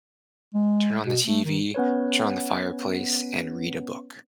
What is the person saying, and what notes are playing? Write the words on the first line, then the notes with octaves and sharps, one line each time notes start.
turn on the TV, turn on the fireplace, and read a book.
G#3
B2
A3
D#3
B3 C#4 B4 C#5